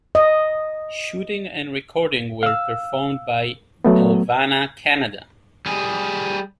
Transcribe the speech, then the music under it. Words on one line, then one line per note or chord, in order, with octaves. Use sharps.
Shooting and recording were performed by Nelvana Canada.
D#5
F5 E6
F#3 A3 B3
G3 G#4